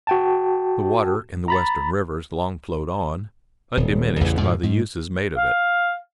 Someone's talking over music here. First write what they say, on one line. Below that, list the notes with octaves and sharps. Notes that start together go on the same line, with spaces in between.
The water in the Western rivers long flowed on, undiminished by the uses made of it.
F#4 G5 A5
A#5 B5 A6
D#1
A1 E2 C#3 E3
F2 G#2 B2 F3
G#2
F5